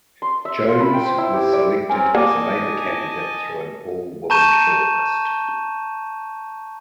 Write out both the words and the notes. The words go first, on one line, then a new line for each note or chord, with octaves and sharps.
Jones was selected as a Labour candidate through an all-women shortlist.
C6
E5
F4
B5
G5
C5
E4
G4
D5
C4 C#4 A#4 G#5
A#3 D5 D#5 G#5 A5 D6
A5 A#5 C#6 G6 D#7 E7